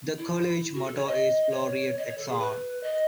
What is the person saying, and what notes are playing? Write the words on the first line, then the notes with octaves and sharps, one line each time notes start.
The College motto is Floreat Exon.
E4
F#4
A4
C#5
D#5
C#5
D#5
C#5
A4
G#4
B4
D#5